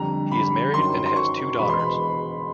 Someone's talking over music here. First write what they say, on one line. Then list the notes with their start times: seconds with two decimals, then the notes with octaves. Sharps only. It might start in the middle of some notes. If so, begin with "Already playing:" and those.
He is married and has two daughters.
Already playing: F2 D3 G3 A#5
0.31 B5
0.74 F#2 D#3 F#3 C6
1.06 C6
1.16 C#6
1.59 E1 E2 B2 G#3 B5
1.70 C6
1.79 B5